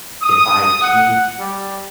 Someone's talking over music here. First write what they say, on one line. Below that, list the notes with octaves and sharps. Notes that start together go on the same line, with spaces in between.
if I keep
D#6
F#5
G3